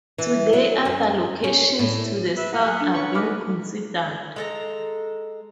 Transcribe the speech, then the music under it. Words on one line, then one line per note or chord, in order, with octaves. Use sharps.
Today other locations to the south are being considered.
E3
F#3
F#2
C#4
A2
B4 E5
E4 F#5 A#5 D#6
F#3 G#4 F5 B5 F6 F#6
D4
C#4 B4 F#5 C#6
D#4 B4 D#5 B5 D6 F6
G#3 A4 A#5